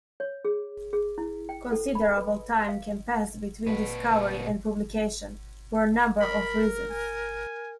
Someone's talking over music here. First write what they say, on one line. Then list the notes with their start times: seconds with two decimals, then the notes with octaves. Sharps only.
Considerable time can pass between discovery and publication, for a number of reasons.
0.20 C#5
0.45 G#4
0.93 G#4
1.18 E4
1.49 G5
1.72 A4
1.95 B5
2.17 B4
2.69 F5
3.67 A#2 B4
6.20 A#4 B5
6.90 G#5